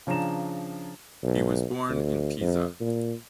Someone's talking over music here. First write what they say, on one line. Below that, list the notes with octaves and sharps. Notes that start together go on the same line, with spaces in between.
He was born in Pisa.
C#3 F3 D4 A#5 E7
B1
D2
F2
A#2